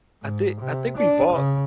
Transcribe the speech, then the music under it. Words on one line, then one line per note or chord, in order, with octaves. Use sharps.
I thi I think we bought
G#2
C3
D4
C#3